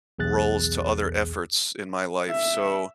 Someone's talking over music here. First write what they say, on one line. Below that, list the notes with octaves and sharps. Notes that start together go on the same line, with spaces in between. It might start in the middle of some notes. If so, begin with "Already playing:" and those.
rolls to other efforts in my life, so
B1 E2 G#4 F#6 A6
E5